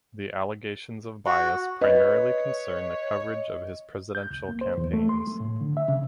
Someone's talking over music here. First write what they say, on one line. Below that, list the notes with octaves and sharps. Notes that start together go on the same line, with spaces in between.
The allegations of bias primarily concern the coverage of his presidential campaigns.
F#4
B4 C#5 D#5
G6
C#2
A#3
C5
E2
A3
C6
A3
A2
D3
E5
C#3